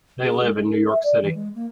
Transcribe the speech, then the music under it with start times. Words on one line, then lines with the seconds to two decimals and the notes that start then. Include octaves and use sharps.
They live in New York City.
0.24 G#4
0.42 G#3
0.55 A3
0.67 A#4
0.89 E5
1.03 D5
1.22 E3
1.35 G#3
1.55 A#3